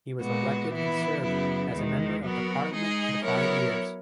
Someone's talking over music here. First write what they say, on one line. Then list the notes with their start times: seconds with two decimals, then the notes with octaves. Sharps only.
He was elected and served as the Member of Parliament for five years.
0.21 A#2 G#3 B3 F#4
0.72 E3 B3 E4
1.22 F#2 C#3 F#3 B3 E4
1.73 E2 D#3 G#3
2.23 F#3 B3 F#4 A#4
2.73 G#3 D#4 G#4 D#5
3.23 F#3 B3 E4 A#4 C#5